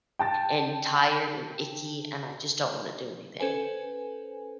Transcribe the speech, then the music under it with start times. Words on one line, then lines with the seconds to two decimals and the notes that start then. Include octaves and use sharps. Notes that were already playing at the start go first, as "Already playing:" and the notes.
and tired and icky, and I just don't wanna do anything.
0.19 G5 A5 A6
3.40 C#4 A4 B4 C5 G#5